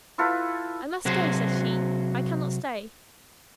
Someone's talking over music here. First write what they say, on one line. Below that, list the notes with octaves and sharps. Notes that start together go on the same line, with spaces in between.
'I must go,' said he, 'I cannot stay.
E4 F4 A4 B4
C3 F#3 F#4 G#4 C5